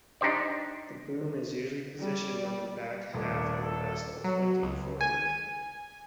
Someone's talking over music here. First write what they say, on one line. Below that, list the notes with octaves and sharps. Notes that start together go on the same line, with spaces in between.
The boom is usually positioned on the back half of the vessel, pointing forward.
D4 D#4 G4 C5 D5
G3 D5
D#1 A3 D4
A4
F#3
C#2
G#5